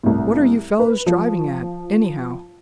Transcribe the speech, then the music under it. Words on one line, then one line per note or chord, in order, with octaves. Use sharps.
"What are you fellows driving at, anyhow?"
C2 A2
B4
F3